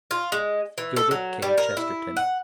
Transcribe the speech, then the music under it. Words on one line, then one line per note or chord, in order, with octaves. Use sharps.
Gilbert K. Chesterton.
F4
G#3
E3
A4
F#3
G3
A#4
E4
F#5